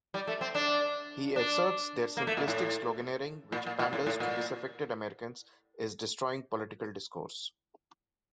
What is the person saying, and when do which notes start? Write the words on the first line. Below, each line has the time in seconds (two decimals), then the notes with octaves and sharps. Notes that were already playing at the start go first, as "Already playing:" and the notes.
He asserts their simplistic sloganeering which panders to disaffected Americans is destroying political discourse.
0.14 G3
0.27 A3
0.41 C4
0.55 D4
1.36 D4
2.17 A#3
2.27 A3
2.37 A#2
2.48 A2
3.52 A#2
3.66 A#2
3.79 A#2
3.93 A2
4.07 A2
4.20 A#2